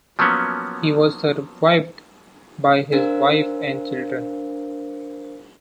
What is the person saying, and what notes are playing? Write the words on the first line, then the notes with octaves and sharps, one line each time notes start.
He was survived by his wife and children.
F3 F#3 A#3 B3 C#4
D4 A#4 C5 F5